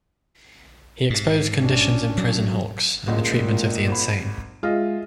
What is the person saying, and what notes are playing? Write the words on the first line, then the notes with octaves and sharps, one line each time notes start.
He exposed conditions in prison hulks and the treatment of the insane.
G#2
C#4 D4
F#3
C#2 A#2 G#3
G#1 B5
G#3 F4 G#4 D#5 E5